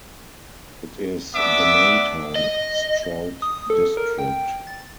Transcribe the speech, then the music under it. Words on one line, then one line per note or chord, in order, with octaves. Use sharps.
It is the main town in Stroud District.
B3 D4 E5 D6
D#5
D#6
A4
A#4
G5
A6